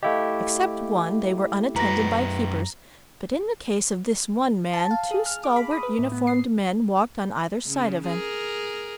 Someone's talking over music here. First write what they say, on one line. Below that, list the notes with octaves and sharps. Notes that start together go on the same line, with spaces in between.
Except one, they were unattended by keepers, but in the case of this one man, two stalwart uniformed men walked on either side of him.
A3 E4 G4 D#5 F5
F#2 B4 A#5 A#6
A5
F5
G#4
F6
D6
B5
D#6
B4
A2
B3
C7
C#3
G#4 A#4